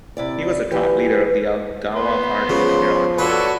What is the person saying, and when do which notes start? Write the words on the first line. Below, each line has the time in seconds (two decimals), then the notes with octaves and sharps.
He was a top leader of the Al-Da'wa Party in Iraq.
0.17 C3 E4 D5
0.71 E3 G3 G4 B4
1.95 B3 B4 C6
2.50 C#3 F3
3.19 F#4 A4 B4 C#5 D5